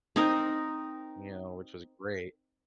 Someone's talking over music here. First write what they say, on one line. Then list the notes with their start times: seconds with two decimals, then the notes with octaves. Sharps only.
you know, which was great.
0.16 C4 D#4 A#4